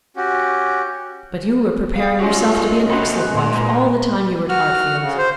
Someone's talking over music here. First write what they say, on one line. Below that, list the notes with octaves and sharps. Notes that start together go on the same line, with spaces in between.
But you were preparing yourself to be an excellent wife all the time you were at Hartfield.
C#4 F#4 G4
G#4 F5 F#5
G#3 C#4 F4 F#4 G#4 A#4
C3 A#3 F#4 A4 B5 C6
G#3 F#4 C6
A#2 G#3 C6
A#4 B4
F#4 F6
C#3
C5